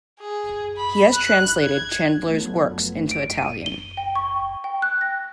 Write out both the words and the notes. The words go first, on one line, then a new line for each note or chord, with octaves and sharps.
He has translated Chandler's works into Italian.
G#4
B5
F#6
G#6
F3 F#3 A3 B3
D7
D#7
G7
G5
C#6
G5
F#6
A#6